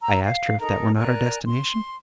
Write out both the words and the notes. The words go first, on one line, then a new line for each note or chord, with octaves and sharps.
I asked her if that were not our destination?
A#5 E6
F5
D#4 A4 A#4 A#5
A#4 D5 G#5 F#6
C6